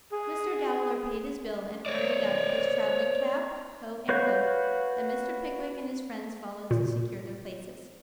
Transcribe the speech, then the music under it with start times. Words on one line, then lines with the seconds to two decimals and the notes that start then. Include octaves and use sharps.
Mr. Dowler paid his bill, and hurried out with his travelling cap, coat, and cloak; and Mr. Pickwick and his friends followed to secure their places.
0.12 G#4
1.86 C#5 D5
4.09 F#4 B4 C#5 F5 G6
6.71 A#2